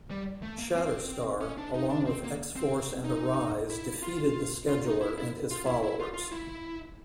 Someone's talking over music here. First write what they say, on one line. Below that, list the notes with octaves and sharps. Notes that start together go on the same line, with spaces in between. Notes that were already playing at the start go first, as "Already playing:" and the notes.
Shatterstar, along with X-Force and Arize defeated the Scheduler and his followers.
G3
A3
A#3
C4
C#4
D4
D#4
D4
C4
A#3
C4
D#4
E4
F4
F4
D#4
E4
E4
F4
E4
E4
F4
F4
E4